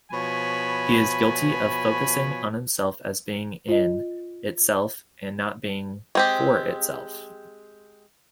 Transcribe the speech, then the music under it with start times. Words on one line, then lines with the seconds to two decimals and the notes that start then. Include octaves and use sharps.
He is guilty of focusing on himself as being-in-itself and not being-for-itself.
0.12 B2 F3 C#5 G#5 B5
3.69 F4 D#5
6.15 G#3 C4 G4